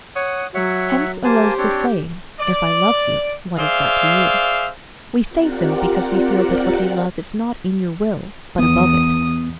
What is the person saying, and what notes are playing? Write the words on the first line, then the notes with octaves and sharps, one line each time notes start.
Hence arose the saying, "If I love you, what is that to you?" We say so because we feel that what we love is not in your will, but above it.
C#5 F#5 D#6
F#3 C#5 E5 F#5
A#3 G4 C5 G#5 A5
C4 D4 C#5
D5
G#4 C5 D5 E5 F5
C4 F4 G4 A#4 D5 F#5
E2 B3 D#6